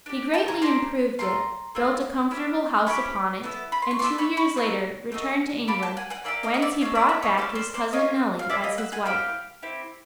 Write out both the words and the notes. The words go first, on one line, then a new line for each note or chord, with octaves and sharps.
He greatly improved it, built a comfortable house upon it, and two years later returned to England, whence he brought back his Cousin Nelly as his wife.
D4 G4
G5 A5
G#5 A#5
D4 G4 A#5 C6
A3 C4 F4 A#5 C6
A3 C4 F4
C#4 E4 G4
C#4 E4 G4 B5 C#6
B3 E4 A4
B5
C6
C#6
B3 E4 A4 C6 D6
B5 C#6
B5 C#6
A3 C4 D#4 F#4
A3 C4 D#4 F#4
A#3 D4 G4 A5 B5
G5 A5
F#5 G#5
F#5 G#5
A#3 D4 G4 D5 E5
D#5 F5
D#5
D5 E5
C#4 F#4 A4 D#5 F5
D5 E5
D5 E5
C#5 D#5
C#4 F#4 A4 C5 D5
C5 D5
C5 D5
A#3 C#4 F4 C#5 D#5
F5
A#3 C#4 F4 D5 E5
D#5 F5
E5 F#5
F#5 G#5
C4 E4 G4 F5 G5
C4 E4 G4